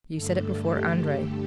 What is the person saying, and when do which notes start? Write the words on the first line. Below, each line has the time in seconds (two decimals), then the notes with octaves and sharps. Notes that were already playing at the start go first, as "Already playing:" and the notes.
You said it before Andrey.
0.14 G2 D3 A3 A4
0.66 G4